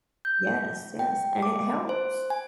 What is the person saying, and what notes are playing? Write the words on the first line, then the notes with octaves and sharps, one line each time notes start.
Yes, yes, and it helps.
G6
G5
D6
C5
G#5